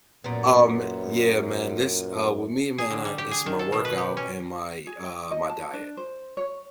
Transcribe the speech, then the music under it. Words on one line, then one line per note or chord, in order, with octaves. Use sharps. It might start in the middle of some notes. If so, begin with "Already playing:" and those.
Um, yeah, man. This, uh, with me, man, I it's my workout and my, uh, my diet.
F#2 A#2 B3
G#4
D3
G3
G4
G#4
D#3
A4
B2
B4
G4
C#4
G#4
G5
D#5
A5
D4
C5
C#5